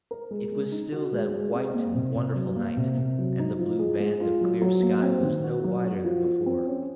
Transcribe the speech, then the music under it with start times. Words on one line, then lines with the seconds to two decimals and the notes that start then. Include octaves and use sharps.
It was still that white and wonderful night, and the blue band of clear sky was no wider than before.
0.11 A#4
0.31 G#3
0.52 G#3
0.72 D#4
0.92 F#4
1.13 G#3
1.34 G#3
1.55 C4
1.74 A#3
1.95 C3
2.16 C3
2.35 F#3
2.56 A#3
2.77 C3
2.98 C3
3.19 F#3
3.39 D#4
3.59 F3
3.79 G#4
4.00 G#3
4.20 F4
4.41 F#3
4.62 F#3
4.83 A#3
5.02 C4
5.23 D#3
5.44 F#4
5.64 F#3
5.85 F#4
6.04 F3
6.26 F3
6.46 C4
6.67 C#4